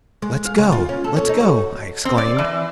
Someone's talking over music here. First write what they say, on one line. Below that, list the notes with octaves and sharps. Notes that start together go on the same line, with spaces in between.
"Let's go, let's go!" I exclaimed.
G#3
F5
C#3
F4
C#4
A4
C#4
D#4
F#4
C4
D5
E3